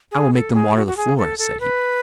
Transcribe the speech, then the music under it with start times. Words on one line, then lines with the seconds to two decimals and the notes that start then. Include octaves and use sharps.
"I will make them water the floor," said he.
0.11 G#4
0.33 A4
0.54 G#4
0.75 F#4
0.87 F#4
0.97 G#4
1.17 A4
1.39 A4
1.60 B4